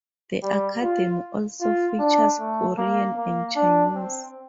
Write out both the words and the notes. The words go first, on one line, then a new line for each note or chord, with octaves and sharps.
The Academy also features Korean and Chinese.
G3
F4
F4
D4
A3
A#3
A#3
D4
C4